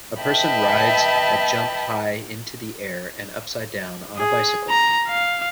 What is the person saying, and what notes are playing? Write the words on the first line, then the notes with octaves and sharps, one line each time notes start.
A person rides a jump high into the air and upside down on a bicycle.
B4 D#5 E5 G5 A5 B5
G#4
A#5
F5